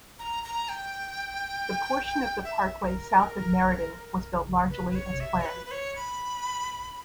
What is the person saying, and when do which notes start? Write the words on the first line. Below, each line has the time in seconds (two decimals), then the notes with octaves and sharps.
The portion of the parkway south of Meriden was built largely as planned.
0.19 A#5
0.44 A#5
0.69 G5
2.44 E5
2.82 A#4
4.70 B4
4.90 B4
4.95 C#5
5.20 E5
5.41 C#5
5.46 B4
5.66 B4
5.71 C#5
5.96 B5